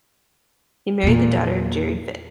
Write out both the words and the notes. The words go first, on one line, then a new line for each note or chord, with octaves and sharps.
He married the daughter of Gerry Fitt.
E2 A#2